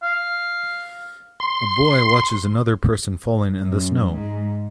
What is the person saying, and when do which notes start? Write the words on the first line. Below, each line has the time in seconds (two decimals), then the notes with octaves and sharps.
A boy watches another person falling in the snow.
0.03 F5
1.40 C6
3.61 F#2
4.07 G#2